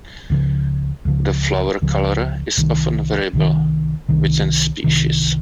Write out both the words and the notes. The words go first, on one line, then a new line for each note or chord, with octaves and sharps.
The flower colour is often variable within species.
C#2 C#3 F3
C#2 C#3 F3
C#2 C#3 F3
C2 C3 D#3
C2 C3 D#3
C2 C3 D#3
C2 C3 D#3